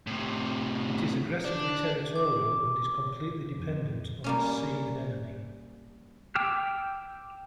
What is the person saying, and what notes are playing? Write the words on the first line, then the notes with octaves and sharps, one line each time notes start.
It is aggressively territorial and is completely dependent on its sea anemone.
A2 C3
D4 D5
D6
F2
G3 A#3 C#4
G5 D6 E6 F6